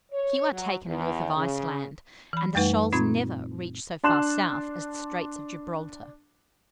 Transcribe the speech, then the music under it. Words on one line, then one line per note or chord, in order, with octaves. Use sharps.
Few are taken north of Iceland, and the shoals never reach so far south as the Straits of Gibraltar.
C#5
F#3
E2
C#3
E3 B5
F#2 G3 A3 D#4 B4 F#5
A#2 C4 D#4 F4 C6 G#6
D4 A5 C6 F#6 E7